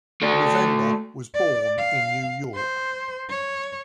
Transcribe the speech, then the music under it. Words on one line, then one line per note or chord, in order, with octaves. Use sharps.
November was born in New York.
A3 D5
D5
F5
C5
C#5